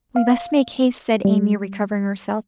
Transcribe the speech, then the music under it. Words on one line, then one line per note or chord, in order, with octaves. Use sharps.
'We must make haste,' said Amy, recovering herself.
F5
G3